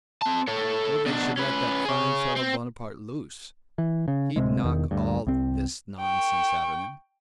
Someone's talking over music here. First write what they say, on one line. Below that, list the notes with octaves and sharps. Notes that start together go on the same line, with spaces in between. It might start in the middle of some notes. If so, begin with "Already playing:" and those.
Oh, they should let that fine fellow Bonaparte loose--he'd knock all this nonsense out of them!
C4 A5
A4 C#5
B2 D4
C#4 B4
G#4 C#5
C4
E3
C#3
D1 G#1 C3 G#3
E1 E2 D#3
D2 G2
C2 C4
G5 C#6